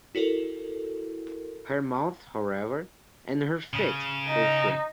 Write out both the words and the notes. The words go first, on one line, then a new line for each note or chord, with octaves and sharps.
Her mouth, however, and her feet were free.
E4 F#4 A4 A#4
C#3
D#4